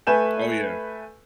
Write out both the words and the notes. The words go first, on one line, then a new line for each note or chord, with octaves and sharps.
Oh yeah.
A3 B4 G#5 G6 E7